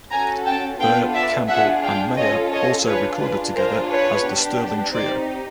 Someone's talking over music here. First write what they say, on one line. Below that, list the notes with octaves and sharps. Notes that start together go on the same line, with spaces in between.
Burr, Campbell and Meyer also recorded together as the Sterling Trio.
C#4 F#4 A4 G#5 A#5
G5 A5
B3 D4 F4 A4 F5 G5
D5 E5
D4 F4 G#4 E5 F#5
F5 G5
C#4 F4 A4 C#5 D#5
C#5 D#5
D4 F4 G#4 B4 C#5
B4
D4 F4 G#4 A#4 C5
B4 C#5
B3 D4 G4
C4 D#4 G4 C5 D5